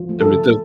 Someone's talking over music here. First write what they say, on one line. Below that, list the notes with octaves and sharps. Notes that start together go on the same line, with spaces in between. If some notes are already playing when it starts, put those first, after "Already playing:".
I meant the
Already playing: F3
A3
A4
D3